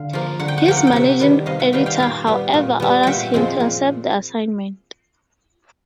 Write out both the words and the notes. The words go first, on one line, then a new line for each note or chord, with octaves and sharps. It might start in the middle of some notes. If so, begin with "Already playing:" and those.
His managing editor, however, orders him to accept the assignment.
Already playing: D3 F5
F3 A#3
D3 F#5
G5
F#5
F3 A#3 G5
F#5
G5
C3 E5 F#5
D#3 G3 B3
C3 D#5 F5
E5 F#5
D#3 G3 B3 F5 G5
F5 G5
A#2 F5 G5
G3 B3
A#2
G3 B3
A#2 E5 F#5 G5
F3 G#3 C4
A#2